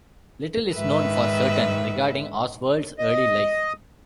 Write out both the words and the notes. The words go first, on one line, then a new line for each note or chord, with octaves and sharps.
Little is known for certain regarding Oswald's early life.
G#2 D#3 B4 E5
D#5